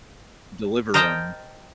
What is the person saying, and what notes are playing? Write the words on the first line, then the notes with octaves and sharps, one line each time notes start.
deliver 'em.
A#4 C5 D#5 G5 A5 A#5